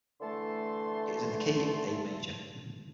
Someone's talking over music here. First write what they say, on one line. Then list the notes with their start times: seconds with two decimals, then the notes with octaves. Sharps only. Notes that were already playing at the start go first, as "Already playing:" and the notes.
It is in the key of A major.
0.21 D3 E3 A3 A4 A5 C6